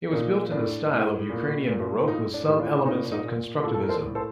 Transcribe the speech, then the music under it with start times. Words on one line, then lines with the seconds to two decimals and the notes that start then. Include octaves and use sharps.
It was built in the style of Ukrainian Baroque with some elements of Constructivism.
0.13 A#2 D#4
0.52 A2 D4
0.91 A2
1.30 A#2
1.69 A#2
2.03 F4
2.07 A2 D#4
2.34 D4
2.47 A2 G4
2.59 D4 F4
2.85 A#2 D#4
3.05 D4
3.12 D#4
3.25 A#2
3.63 A2 F4 A4
3.74 A4
3.82 A#4
3.89 A4 C5
4.03 A2
4.15 A4 C5